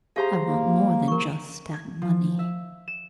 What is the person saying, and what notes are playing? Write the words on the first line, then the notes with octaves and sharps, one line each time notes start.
I want more than just that money.
G4 G#4 C5 E5 F5 A#5
A#3
A#4 C#6
G#6
F3
E5
E7